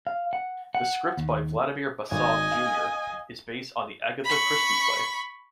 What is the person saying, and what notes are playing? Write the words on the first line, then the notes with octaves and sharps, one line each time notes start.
The script by Vladimir Basov Junior is based on the Agatha Christie play.
F5
F#5
F#5
D#2
G#1 D#5 G#5
F5
B5 C#6